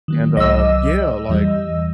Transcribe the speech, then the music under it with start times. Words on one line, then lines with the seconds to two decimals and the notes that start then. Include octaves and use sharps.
and, um Yeah, like,
0.08 D#3 F#3 A#3
0.37 C2 F#3 D#5 D6 E6
1.29 E2 E3 G3